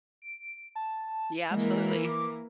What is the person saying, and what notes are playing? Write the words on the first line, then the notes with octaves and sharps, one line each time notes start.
Yeah, absolutely,
D7
A5
E3 G#3 A#3 A#4
D6